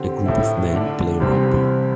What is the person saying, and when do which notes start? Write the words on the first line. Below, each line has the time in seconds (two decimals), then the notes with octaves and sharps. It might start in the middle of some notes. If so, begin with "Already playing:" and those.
A group of men play rugby.
Already playing: D3 C4 G4
0.26 A2 A3 E4
0.73 D3 A3 D4
1.20 C2 C3 E3 G3 C4